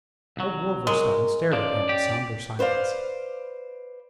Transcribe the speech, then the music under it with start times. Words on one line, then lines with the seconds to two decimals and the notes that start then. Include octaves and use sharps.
Old Wolverstone stared at him in sombre silence.
0.37 C2 F#3
0.87 G#3 A#4
1.53 F3 C#4 D5
1.89 G4
2.59 B4 C5 D5 F5